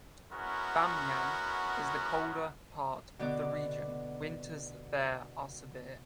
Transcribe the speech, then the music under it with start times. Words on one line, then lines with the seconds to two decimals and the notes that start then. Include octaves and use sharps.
Bamyan is the colder part of the region; winters there are severe.
0.31 G#3 B3 C#4 E4 F#4 A#4
3.19 B2 D3 B3 D5 D6